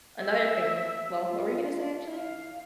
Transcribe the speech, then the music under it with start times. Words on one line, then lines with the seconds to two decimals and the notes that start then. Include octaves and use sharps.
Another thing well, what were you gonna say, actually?
0.23 E5
1.25 F4
2.10 F5